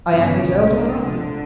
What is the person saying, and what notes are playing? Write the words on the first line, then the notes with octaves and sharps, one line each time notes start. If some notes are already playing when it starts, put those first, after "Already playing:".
"I am his elder brother."
G2 C#3 E3 G3 B3
C2 A#2 G3
A2 D3 F#3 A#3
C3 F3 G#3